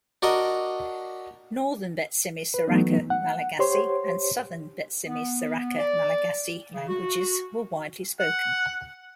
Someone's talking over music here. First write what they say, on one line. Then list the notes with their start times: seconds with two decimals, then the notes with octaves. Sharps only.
Northern Betsimisaraka Malagasy and Southern Betsimisaraka Malagasy languages were widely spoken.
0.22 D4 F#4 A#4 D#5
2.54 B4
2.68 E3 F#3 A3 B3 D#4
3.10 F#5
3.59 G4 C5 C#5 C6
5.07 B3
5.78 D5
6.74 C#3
6.88 F#4
8.20 F#5